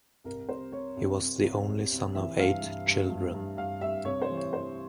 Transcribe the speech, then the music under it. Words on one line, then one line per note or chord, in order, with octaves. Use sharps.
He was the only son of eight children.
C2 A#4
C3 C5
C3 C#5
C2
C2
C2
C2
C2
E3 E5
G2 F5
G2
G2
G2
G2
G2 F5
G2 E5
C3 C#5
C5
E3
C#5
E3 C5